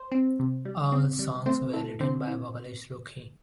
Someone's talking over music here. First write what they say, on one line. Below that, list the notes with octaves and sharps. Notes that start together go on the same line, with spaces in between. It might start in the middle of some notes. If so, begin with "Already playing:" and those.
All songs were written by vocalist Ruki.
Already playing: C5
C4
C3
G3
C4
G3
A3 C4 C5
E4 A4
D3 C4 C5
E4